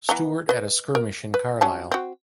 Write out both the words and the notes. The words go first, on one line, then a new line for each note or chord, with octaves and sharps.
Stuart at a skirmish in Carlisle.
E3 B3 A#5
B4 D#5
A#4
B4
F#3 C#4 A5
C4 F#4